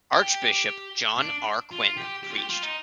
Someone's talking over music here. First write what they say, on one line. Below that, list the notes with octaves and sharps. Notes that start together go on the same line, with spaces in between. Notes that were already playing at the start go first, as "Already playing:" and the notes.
Archbishop John R. Quinn preached.
G4
D4
F4
G4
G4
F4
G4
F4
D#4